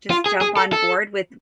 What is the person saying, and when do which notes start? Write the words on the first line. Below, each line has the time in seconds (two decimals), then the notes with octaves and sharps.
just jump on board with
0.10 F4
0.26 G#4
0.41 G#4
0.57 A4
0.73 A4